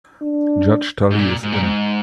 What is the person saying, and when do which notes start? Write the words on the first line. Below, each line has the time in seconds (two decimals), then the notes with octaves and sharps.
Judge Tully is in.
0.22 D4
1.11 G#2
1.19 A#2
1.43 G#2
1.52 A#2
1.63 G#2